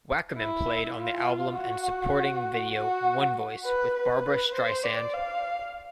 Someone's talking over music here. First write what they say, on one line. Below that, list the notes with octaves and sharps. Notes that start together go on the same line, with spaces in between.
Wackerman played on the album and supporting video "One Voice" with Barbra Streisand.
E4
F4
F#4
F#4
B4
B4
C5
D5
F5